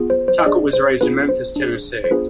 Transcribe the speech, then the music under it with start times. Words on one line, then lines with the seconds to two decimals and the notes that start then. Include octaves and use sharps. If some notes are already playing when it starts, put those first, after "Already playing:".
Tucker was raised in Memphis, Tennessee.
Already playing: B3 F4 G#4
0.10 C5
0.28 C5
0.39 D#5
0.46 D4 G#4 D5
0.73 C5
1.01 B3 D4 F4 G#4 B4
1.29 C5
1.56 D4 G#4
2.04 C5
2.11 B3 D4 F4 G#4 B4